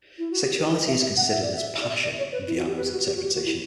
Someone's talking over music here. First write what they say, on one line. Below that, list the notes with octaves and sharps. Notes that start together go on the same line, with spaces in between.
Sexuality is considered as passion in Viano's interpretation.
E4
F#4
G4
A#4
A#4
E5
E5
F#5
E5
D5
E5
D5
E5
D5
C#5
B4
E4
F#4
G4
B4
G4
F#4
G4
F#4
G4
F#4
E4